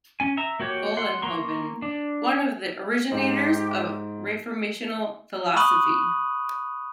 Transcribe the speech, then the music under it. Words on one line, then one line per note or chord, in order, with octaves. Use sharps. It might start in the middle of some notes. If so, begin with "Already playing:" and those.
Vollenhoven, one of the originators of Reformational philosophy.
C#4 G#5
E5 A#5
A#3 F#4 G4 C#5
F#5 C6
A#3 A#5 C6 C#6
D4
G#2 G4
B5 C#6 D#6 F#6 D#7 F#7